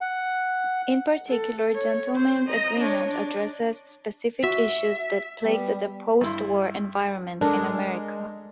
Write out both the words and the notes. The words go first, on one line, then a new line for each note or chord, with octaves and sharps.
In particular "Gentleman's Agreement" addresses specific issues that plagued the postwar environment in America.
F#5
A4
C#5
C4 C5
D#5 A#5
D4 C#5
D4
F#4 E5
G3 B3
G2 E4 C6
G#3 D4 A4 A#4